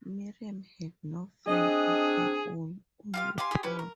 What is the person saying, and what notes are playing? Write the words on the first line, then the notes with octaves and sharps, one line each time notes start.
Miriam had no friend of her own, only Paul.
C4 D4 G#4 D#5
F4 G4 F5
G4 F5 G#5 C6
G4 G#4
C#4 E4 G4 B4
A#4